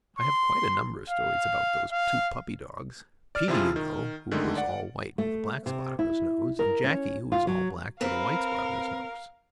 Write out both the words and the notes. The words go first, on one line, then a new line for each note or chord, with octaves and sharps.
I have quite a number of stories about those two puppy dogs; Peetie, you know, who was all white with a black spot on his nose, and Jackie, who was all black with a white spot on his nose.
C6
F5
F5
D5 F6
C3 F3 E4 F4 G#4
D#3
D3 D#3 G#3 A3
D5 F#5
A3
C3
E4
A#4
C#4
F4
F#3
C4 A#4 B4 F5